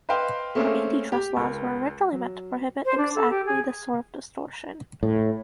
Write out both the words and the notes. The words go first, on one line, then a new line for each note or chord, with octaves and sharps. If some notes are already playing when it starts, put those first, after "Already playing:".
Our antitrust laws were originally meant to prohibit exactly this sort of distortion.
B4 C5 D#5 F5 G5
A3 A#3 C4 C#4 G#4
G4
C#2 A#4
F#3
C5
D4
A4
G4
G#4
A2